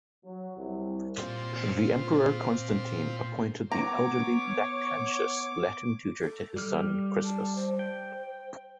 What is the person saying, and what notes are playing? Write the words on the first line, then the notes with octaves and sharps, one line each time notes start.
The Emperor Constantine appointed the elderly Lactantius Latin tutor to his son Crispus.
F#3
C2
A#2 C4 F4
B3 C#5 A#5 D6
A4
G3 F6
A5
C5
G5